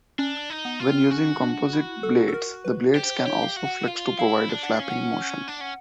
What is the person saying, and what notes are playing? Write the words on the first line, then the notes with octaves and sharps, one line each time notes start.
When using composite blades, the blades can also flex to provide a flapping motion.
C#4 D4
D#4
B3
F4
C4
C#4 F#4
D4
E4
A4
A4
A#4
B4
G4 C5
C#5
G4
F5
F#4
F#5
F4 F5
E4 F5
D4
F#5
C#4 F5
F#5
D4
C#4